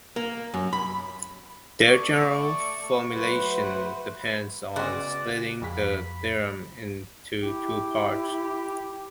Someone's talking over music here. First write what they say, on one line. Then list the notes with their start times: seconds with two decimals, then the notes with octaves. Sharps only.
Their general formulation depends on splitting the theorem into two parts.
0.16 A#3
0.54 F#2
0.73 B5
1.87 A3 D5 C#6
3.12 C#3 F#3 A3 F#4 B4 C5 F#5
4.76 C#3 G#3 B3 C#4 F#4 D5
5.62 F2 F#3 G#3 A#3 B5 B6
7.43 E4 G4